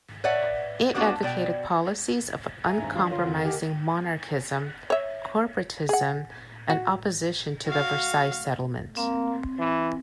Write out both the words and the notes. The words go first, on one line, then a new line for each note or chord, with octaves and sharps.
It advocated policies of uncompromising monarchism, corporatism, and opposition to the Versailles settlement.
B4 C#5 D5 E5 F#5
G3 A#3 B3 D4 F#4
B2 D5 G5
E5 G#5 A#5
G#1 G2
E3 F3 D4 F5
D3 F4 A#4 C#5
F2
G4 D#5 F#5 G#5
C#5 E5
G#4 F#5
F#4
F#4 F5
A#3 C4
E3